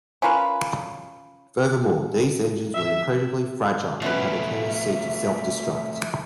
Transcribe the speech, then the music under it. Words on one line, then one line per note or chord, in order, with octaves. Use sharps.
Furthermore, these engines were incredibly fragile and had a tendency to self-destruct.
C#4 F4 A#4 B4
E5
B2 F3 A3 C#4 B4 E5